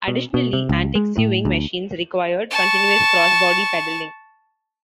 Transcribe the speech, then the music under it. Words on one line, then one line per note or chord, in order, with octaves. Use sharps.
Additionally, antique sewing machines required continuous cross body pedaling.
B2
B2
C3
C#2
G#3
A2
D2
A5 C#6